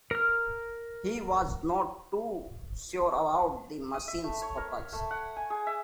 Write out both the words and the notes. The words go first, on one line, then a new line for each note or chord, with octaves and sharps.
He was not too sure about the machine's purpose.
A#4 F6
D#6
E5
A3
C#5
A#4
A3
F#5
G#5
G#4
E5